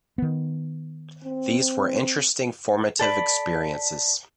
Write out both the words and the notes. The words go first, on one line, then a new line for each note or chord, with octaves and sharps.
These were interesting formative experiences.
D#3 B3
C4
A4 D5 B5